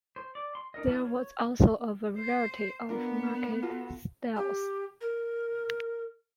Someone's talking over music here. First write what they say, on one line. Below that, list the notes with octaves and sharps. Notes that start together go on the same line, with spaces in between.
There was also a variety of market stalls.
C5
D5
C6
D4 D#4 A#4 D#5
E3 D4 A5 F6
C#5
C5
B3 D4 F4 A#4
F4 F#4 A4
G4
A#4